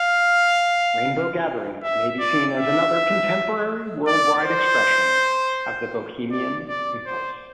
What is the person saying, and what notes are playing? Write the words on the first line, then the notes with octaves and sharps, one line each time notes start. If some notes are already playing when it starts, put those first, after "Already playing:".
Rainbow Gatherings may be seen as another contemporary worldwide expression of the bohemian impulse.
Already playing: F5
E5
D5
E5
D5
C5
D5
D5
C5